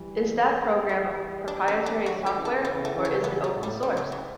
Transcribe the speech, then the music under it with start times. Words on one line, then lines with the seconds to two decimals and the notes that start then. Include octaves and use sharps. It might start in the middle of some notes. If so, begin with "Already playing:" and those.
Is that program proprietary software, or is it open source?
Already playing: E3 G3
0.60 E3 G3
0.89 F#4
1.48 D4
1.68 C#4
1.86 D4
2.06 D3 F#3 F#4
2.26 G4
2.36 C#3 E3
2.45 A4
2.65 C#3 E3 B3
2.85 A3
2.94 C#3 E3
3.05 C#4
3.23 C#3 B3
3.44 A3
3.54 A2
3.63 G3
3.82 C#3 G3
3.97 F#3
4.12 E3